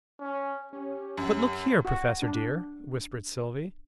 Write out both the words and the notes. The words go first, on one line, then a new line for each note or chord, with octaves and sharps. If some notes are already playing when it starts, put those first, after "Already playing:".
"But look here, Professor dear!" whispered Sylvie.
C#4
C#4 G4
F#2
F#4
D4